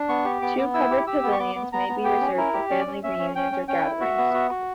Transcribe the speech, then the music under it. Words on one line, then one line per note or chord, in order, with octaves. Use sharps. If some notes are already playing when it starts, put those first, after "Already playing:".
Two covered pavilions may be reserved for family reunions or gatherings.
Already playing: D4
B3 C#6
G4
B3 D6
B3
E4 E6
G4
G4 E6
B3
C#6
B3 D6
B3
B3 A#5
B3
G4 G5
C#4
E4 A#4
G4
C#4 D5
C#4
C#4 E5
C#4
C#4 G5
C#4
C#4 G5
E4
F#4 E5
B3
F#4
F#4